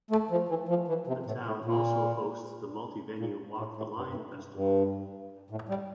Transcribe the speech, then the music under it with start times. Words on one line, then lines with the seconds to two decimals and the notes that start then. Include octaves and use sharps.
The town also hosts the multi-venue Walk the line festival.
0.11 A3
0.30 F3
0.49 E3
0.69 F3
0.88 E3
1.07 C3
1.26 A2
1.46 A2
1.65 A#2
3.19 A#2
3.57 A2
3.76 A2
3.96 G2
4.08 G2
4.15 A2
4.34 G2
4.54 G2
5.50 A2
5.69 G3